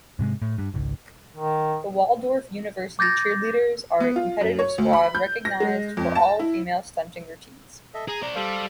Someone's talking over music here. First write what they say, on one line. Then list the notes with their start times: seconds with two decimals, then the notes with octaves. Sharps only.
The Waldorf University Cheerleaders are a competitive squad recognized for all-female stunting routines.
0.19 G#2 C3 G3 G#3
0.42 A2
0.58 G2
0.74 G#1 C#2
1.36 D#3
2.99 D6 G6 A6 A#6
4.00 B3
4.16 F4
4.41 F#2
4.59 C#5
4.78 D2
4.93 B5
5.15 G6
5.45 A#6
5.60 G#3
5.97 F2
6.15 A5
6.39 E4
7.94 A4 D#5 E5
8.08 G#4 A#5
8.22 C4 D5
8.35 G3 A4 C5 F5